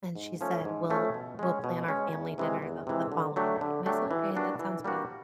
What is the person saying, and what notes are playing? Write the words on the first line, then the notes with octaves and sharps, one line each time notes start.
and she said, "We'll we'll plan our family dinner the the following day," and I said, "Okay, that sounds good."
G#2
F3 A3 C#4
G#2
F3 A3 C#4
B2
G#3 C#4
B2
G#3 C#4
E2
C3 E3 G#3
E2
C3 E3 G#3
D3
F#3 A3 D4 G4
D3
F#3 A3 D4 G4
E3
G3 A#3 D4 F#4
E3
G3 A#3 D4 F#4